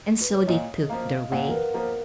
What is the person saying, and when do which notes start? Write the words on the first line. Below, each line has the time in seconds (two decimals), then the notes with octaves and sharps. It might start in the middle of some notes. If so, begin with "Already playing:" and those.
And so they took their way.
0.21 B4
0.34 C#5
0.47 A#2 D#5
0.89 F3 A#3 F5
1.32 A#2 F#5
1.49 A#4
1.52 B4
1.74 F3 A#3 A#4